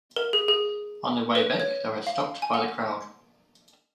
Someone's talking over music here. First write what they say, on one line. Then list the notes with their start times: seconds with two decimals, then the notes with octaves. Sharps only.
On their way back they were stopped by the crowd.
0.16 A#4
0.33 G#4
0.48 G#4
1.35 B4
1.60 C#5
2.07 F5
2.42 G#5
2.54 F#5